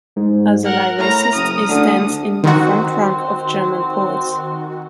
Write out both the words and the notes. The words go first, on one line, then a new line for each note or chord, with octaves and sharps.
As a lyricist he stands in the front rank of German poets.
G#2
A#4 F#5 F6
A2 A#5
F#1 D#6
D2 D3
D#3 C4 F#4